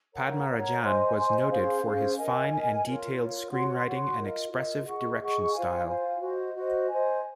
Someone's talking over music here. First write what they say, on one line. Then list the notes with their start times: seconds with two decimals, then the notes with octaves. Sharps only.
Padmarajan was noted for his fine and detailed screenwriting and expressive direction style.
0.14 A#4 C#5 F#5 A#5
0.49 A#4 C#5 F#5 A#5
0.82 C5 D#5 G#5 C6
1.16 C5 D#5 G#5 C6
1.49 C#4 G#4 C5 F5
1.82 C#4 G#4 C5 F5
2.17 A#4 D#5 G#5
2.50 A#4 D#5 G#5
2.84 F4 A#4 C#5
3.18 F4 A#4 C#5
3.51 F#4 C#5 F#5 C6
3.84 F#4 C#5 F#5 C6
4.18 F4 A#4 D#5
4.51 F4 A#4 D#5
4.86 G#4 D#5 F#5 C#6
5.19 G#4 D#5 F#5 C#6
5.53 F4 C5 F5 G#5
5.87 F4 C5 F5 G#5
6.20 F#4 C5 D#5
6.54 F#4 C5 D#5
6.88 C5 D#5 G#5